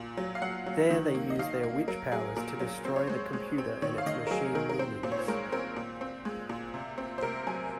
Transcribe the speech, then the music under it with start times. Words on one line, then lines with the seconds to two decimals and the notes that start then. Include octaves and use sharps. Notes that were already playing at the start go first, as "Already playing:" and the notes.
There they use their witch powers to destroy the computer and its machine minions.
Already playing: A#2
0.17 F#3
0.35 F5
0.42 F#3 F#5
0.66 F#3
0.90 D#3
1.15 A#3
1.30 D#5
1.39 D#3 F5
1.63 A#3
1.88 F#3 A#4
2.12 F#3 G#4
2.36 A#2 A#4
2.60 F#3
2.85 C4 C5
2.96 C#5
3.07 G#3 C5
3.33 G#3
3.58 C4
3.82 D#3 C#5
3.98 F5
4.06 D#3 D#5
4.27 A#4
4.30 F#3 G#4
4.55 D#3 A#4
4.69 A#4
4.79 C4 C5
5.03 A#2 C5
5.12 C#5
5.19 C5
5.28 G#3 A#4
5.52 C4 A#4
5.76 A#2
6.01 C4
6.25 G#3
6.50 A#2
6.74 C3
6.98 C4
7.18 C5
7.22 C3 A#4
7.47 F#3 G#5